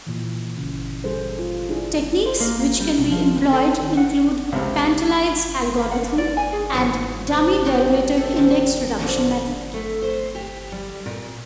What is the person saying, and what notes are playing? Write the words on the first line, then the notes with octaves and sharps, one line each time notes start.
Techniques which can be employed include "Pantelides algorithm" and "dummy derivative index reduction method".
A#2 E3
C#3
G3 G#4 A4 C5
F4
D4 E4 G#4
C5
A#3
A#3
G3
B2
F3
D2
A4
D#3
F#5
C#2 C3
B4
F#5
D4
D5
G#5
G#4
G#2 E3 F#3 F4 C#5
C3
G3 C4 F#4 G4
A4
E2 C4
A#2 D3 F3 F#3
A3
C5
G4
G3
A#2